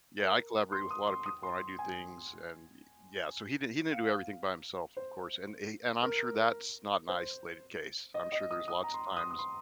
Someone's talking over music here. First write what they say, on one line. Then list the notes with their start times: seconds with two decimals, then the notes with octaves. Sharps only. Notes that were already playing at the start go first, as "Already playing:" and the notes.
yeah, I collaborate with a lotta people when I do things and y yeah. So he did he didn't do everything by himself, of course. And he and I'm sure that's not an isolated case. I'm sure there's lots of times
0.19 A#4
0.72 C6
0.90 D#6
1.07 C6
1.26 D#6
1.43 C6
1.79 G#5
3.91 F5
4.97 C5
6.02 A#4
7.09 C5
8.14 D#5
8.32 D#5
8.51 D#6
8.68 D#6
8.84 A#5
8.94 C6
9.16 D#6
9.21 C6
9.31 D#6
9.39 C6